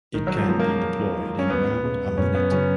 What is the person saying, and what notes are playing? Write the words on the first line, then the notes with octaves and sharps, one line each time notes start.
It can be deployed in around a minute.
B1 D#3
F#3
F3
A#2 G#3 B3 F4
A#3
F2
D#3 G#3
C#4
D#2 B3
C#3 G#3
F#2 C#4
B3
C#3 F#3 C#4